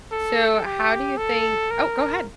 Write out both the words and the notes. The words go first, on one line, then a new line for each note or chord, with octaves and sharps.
So, how do you think oh, go ahead.
A4
G4
A4
A#4